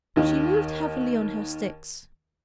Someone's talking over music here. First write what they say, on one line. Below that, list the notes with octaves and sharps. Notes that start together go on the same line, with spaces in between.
She moved heavily on her sticks.
D#2 D#3